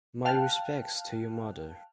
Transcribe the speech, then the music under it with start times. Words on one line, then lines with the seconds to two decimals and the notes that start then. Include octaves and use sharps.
My respects to your mother.
0.25 F5 G5 A5 F6 F#6